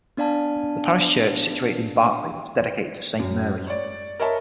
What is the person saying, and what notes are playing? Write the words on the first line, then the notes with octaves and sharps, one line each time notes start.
The parish church situated in Barkby is dedicated to Saint Mary.
B3 D4 D5 F5 A5
F#2
C#5 D5
A#4 C#5 D#5 E5 A5